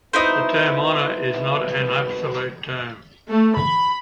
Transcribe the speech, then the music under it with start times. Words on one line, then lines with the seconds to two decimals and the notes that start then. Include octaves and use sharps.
The term honor is not an absolute term.
0.13 G#1 B2 D#4 E4 B4 C5
3.29 A3
3.58 B5